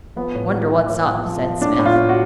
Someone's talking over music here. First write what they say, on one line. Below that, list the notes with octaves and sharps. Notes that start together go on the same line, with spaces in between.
"Wonder what's up?" said Smith.
F3 B3
A2
F3
F3
A2
F3
F3
F3
A2 D4
A2
F4
A2
F#4